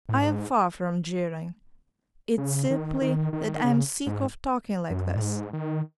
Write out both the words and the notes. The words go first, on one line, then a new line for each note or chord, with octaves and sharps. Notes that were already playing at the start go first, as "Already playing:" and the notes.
I am far from jeering; it's simply that I'm sick of talking like this.
A2
G#2
C#3
D#3
D#3
D#3
C#3
G#2
F#2
A2
G#2
D#3